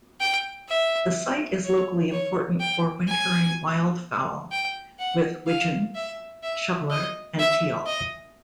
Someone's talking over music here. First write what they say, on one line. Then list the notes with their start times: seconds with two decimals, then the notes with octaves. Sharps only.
The site is locally important for wintering wildfowl, with wigeon, shoveler and teal.
0.20 G5
0.68 E5
1.64 C#5
2.12 C#5
2.60 G5
3.08 G#5
4.51 G5
4.99 F#5
5.47 F5
5.95 E5
6.43 E5
6.90 D#5
7.39 E5
7.86 D#5